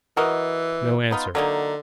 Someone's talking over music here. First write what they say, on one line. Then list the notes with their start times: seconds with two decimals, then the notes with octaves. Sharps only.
No answer.
0.17 E3 F#4 A#4 D#5
1.11 B3 D#4 F4
1.35 D3 F#3 A#3 D#4